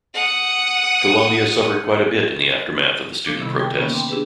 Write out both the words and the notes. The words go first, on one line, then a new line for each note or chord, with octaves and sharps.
Columbia suffered quite a bit in the aftermath of the student protest.
F#5 D#6
F3 A4 D6 F#6
C3 D#3 G3 B3 E4
G5 A5
D3 D#3 A#3 B3 C#4 D#4
B3 G5 C6 D6
D4 E4 G4 G#4 B4